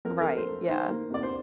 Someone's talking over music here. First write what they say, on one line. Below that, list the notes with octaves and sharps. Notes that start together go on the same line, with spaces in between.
Right, yeah.
F2 A#4
A3 A#4
C5
A3
D#3 C5
A#3
C3 D5
C5